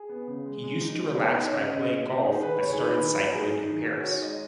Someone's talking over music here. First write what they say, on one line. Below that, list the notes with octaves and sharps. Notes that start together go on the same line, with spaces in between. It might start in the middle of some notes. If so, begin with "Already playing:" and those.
He used to relax by playing golf but started cycling in Paris.
Already playing: G#4
B3
C#3
G#3
G#3
D#4
G#3
B3 C#5
D#4 D#5
C#5
C#3 D#5
C#3
C#3
C#3
D#4 G#4
D#3 B4
D#3 C#5
G#4
D#4 B4
D#3
F#3
D#4 G#4
D#4
D#3
D#3 F#4
D#4 C#5
G#3 D#5